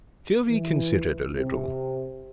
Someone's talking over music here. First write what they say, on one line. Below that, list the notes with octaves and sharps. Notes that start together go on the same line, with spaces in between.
Sylvie considered a little.
E3
C3